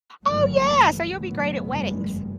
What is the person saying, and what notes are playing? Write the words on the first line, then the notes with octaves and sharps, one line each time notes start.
Oh yeah, so you'll be great at weddings.
G1 D#2 D#3 E3 F#3 A3
C#2 C#3
F#1 A2 D#3 F#3 B3
F1 E2 G2 G3 G#3
F#1 F2